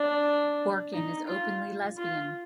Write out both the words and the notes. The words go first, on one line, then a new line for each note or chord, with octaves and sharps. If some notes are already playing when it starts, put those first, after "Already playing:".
Orkin is openly lesbian.
Already playing: D4
D#4
F4
F4